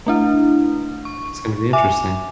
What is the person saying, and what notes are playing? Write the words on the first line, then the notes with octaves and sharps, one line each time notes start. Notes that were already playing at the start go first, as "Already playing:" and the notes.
It's gonna be interesting.
A3 D4 E4
C#6
E5 G#5 D6